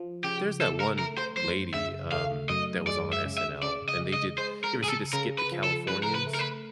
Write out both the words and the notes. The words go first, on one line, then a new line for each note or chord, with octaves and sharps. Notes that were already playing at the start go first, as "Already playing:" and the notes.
there's that one l l lady, um, that was on SNL, and they did you ever see the skit, "The Californians?"
Already playing: F3
C#3 G4
A3 A4
A#4
A3 A#4
C5
F#2 C5
C#3 E5
A3 F5
F#2 D#5
G#3 D5
E5
C#3
E5
C#3 D5
D#5
G#3
D#5
G#3 C5
A#4
C#3
G#4
A4
C#3 A#4
B4
F3
A4
C#3 B4
A#4
B4
A3
A#4
B4